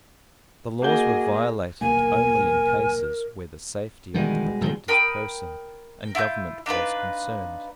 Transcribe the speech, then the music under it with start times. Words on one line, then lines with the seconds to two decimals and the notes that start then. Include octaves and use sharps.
The laws were violated only in cases where the safety of the Protector's person and government was concerned.
0.82 A#3 F#4 G#4 D#5 G6 G7
1.81 D#1 B1 A#3 A#4 G#5
4.14 B2 D#3 E3 G3 G#3
4.61 F#1 D#3 F3
4.88 A#4 G5 B5 D#6
6.15 E4 F4 C#6 G6
6.66 D4 D#4 F4 B4